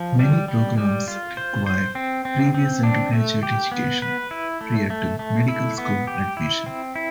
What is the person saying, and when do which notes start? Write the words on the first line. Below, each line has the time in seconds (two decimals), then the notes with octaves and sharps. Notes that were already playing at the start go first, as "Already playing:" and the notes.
Many programs require previous undergraduate education prior to medical school admission.
Already playing: F3
0.19 G3
0.48 G3
0.78 G3
1.08 F4
1.37 C5
1.66 C5
1.95 C4
2.25 C4
2.54 C4
2.83 D4
3.13 A3
3.43 G4
3.72 B3
4.02 B4
4.31 E4
4.61 A3
4.90 A3
5.19 A3
5.48 E4
5.78 B3
6.07 G4
6.37 E4
6.66 C4
6.96 E4